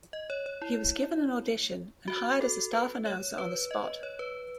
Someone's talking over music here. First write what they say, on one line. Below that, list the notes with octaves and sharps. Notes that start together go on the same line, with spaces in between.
He was given an audition and hired as a staff announcer on the spot.
D#5
C#5
C#5
E4
F#4
A4
B4
C#5
B4
D#5
C#5
B4